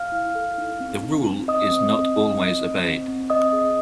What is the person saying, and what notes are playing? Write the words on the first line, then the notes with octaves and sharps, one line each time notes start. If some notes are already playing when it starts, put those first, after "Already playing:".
The rule is not always obeyed.
Already playing: F5 F6
E4
A4
D#4
C4
D#4
C4
C4 D#5 D#6
C4
C4
D#4
C4
C4
C4
C4
C4 D#5 D#6
G#4